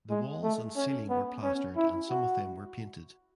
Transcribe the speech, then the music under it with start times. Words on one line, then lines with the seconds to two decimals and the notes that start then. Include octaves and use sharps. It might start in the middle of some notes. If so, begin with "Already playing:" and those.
The walls and ceiling were plastered and some of them were painted.
0.10 G#3
0.43 A3
0.77 C#4
1.10 B3
1.43 C#4
1.77 E4
2.10 F#4